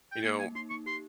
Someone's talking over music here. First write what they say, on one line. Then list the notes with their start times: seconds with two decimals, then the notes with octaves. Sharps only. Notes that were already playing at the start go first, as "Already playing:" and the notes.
You know
0.11 G5
0.24 A#3 G#5
0.39 D#4 G#5
0.55 D#4 C6
0.70 A#3 C#6
0.86 G4 C6